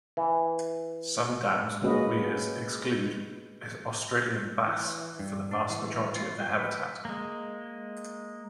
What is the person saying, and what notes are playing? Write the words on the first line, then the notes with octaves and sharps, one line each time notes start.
Some dams or weirs exclude Australian bass from the vast majority of their habitat.
E3
G#3 A#3 C#4 F#4 B4 D#5
E3
G2
D4
E3
F4
G5
B4
G#3 A#3